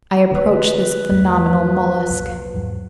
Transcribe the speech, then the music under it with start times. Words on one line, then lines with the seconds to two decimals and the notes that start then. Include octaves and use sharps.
I approached this phenomenal mollusk.
0.31 D3 E3 A#3 B4
1.11 E2 G2 A3
2.10 C2 F2 A#2
2.54 E2 G#2 F#3